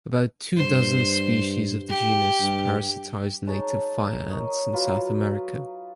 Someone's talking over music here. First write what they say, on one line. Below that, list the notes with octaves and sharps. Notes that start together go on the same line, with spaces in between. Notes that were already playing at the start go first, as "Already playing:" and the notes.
About two dozen species of the genus parasitize native fire ants in South America.
G2 C5
G4
G2
G#3 D#4 C#5 A5
A#4 C#5 D#5
F#3 F4 B4